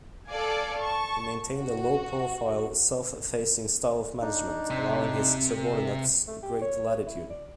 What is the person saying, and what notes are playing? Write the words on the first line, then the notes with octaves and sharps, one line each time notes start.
He maintained a low-profile, "self-effacing" style of management, allowing his subordinates great latitude.
A4 D5 F5 G#5 D6
A5 C#6
F#4
D4 D#4
C3
A3
G4
C#5
E4
D5